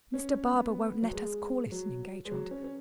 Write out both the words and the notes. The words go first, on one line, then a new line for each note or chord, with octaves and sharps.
Mr. Barbour won't let us call it an engagement.
C#4
C#4
B3
F#3
G#3
F#3
G#3
F#3
C#4
C#4